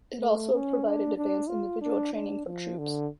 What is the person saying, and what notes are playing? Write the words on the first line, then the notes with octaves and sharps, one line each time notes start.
It also provided advanced individual training for troops.
A3
C#4
D4
D4
F4
D4
D4
F3
D3